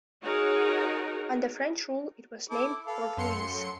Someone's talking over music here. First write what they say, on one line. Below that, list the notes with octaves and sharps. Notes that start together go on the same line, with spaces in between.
Under French rule it was named Port Louis.
D#4 F#4 G#4 A#4 C#5
E4 A4 D6
A4 B4 F5
F#2 C6 C#7
A3